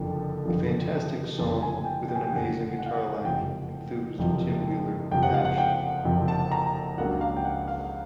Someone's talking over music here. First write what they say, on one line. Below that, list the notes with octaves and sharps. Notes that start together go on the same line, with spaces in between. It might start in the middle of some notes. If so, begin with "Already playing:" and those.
"A fantastic song with an amazing guitar line," enthused Tim Wheeler of Ash.
Already playing: F#1 F2 D3 F3
F#1 F2 D3 F3
F#1 F2 D3 F3 A5
G#5
G5
G5
G#5
G5
F#1 F2 D3 F3 F#5
F#5
F5
F#5
F#1 F2 C3 F3 G5
F#1 F2 C3 F3
F#1 F2 C3 F3 G5
F#5
F5
F#5
G5
F#1 F2 C3 F3
A5
A#5
C#2 C#3 F#3 A#3 D4 F#5
F5
G5
F#5
F5